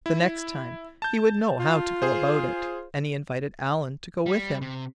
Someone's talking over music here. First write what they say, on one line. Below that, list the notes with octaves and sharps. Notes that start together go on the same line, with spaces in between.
The next time he would know how to go about it, and he invited Alan to go with him.
E4
A5 G6
F4
G#4 C5
G3
C3